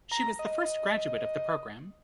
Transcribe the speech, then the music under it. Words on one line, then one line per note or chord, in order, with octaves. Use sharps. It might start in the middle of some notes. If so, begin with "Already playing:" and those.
She was the first graduate of the program.
A#5
D#5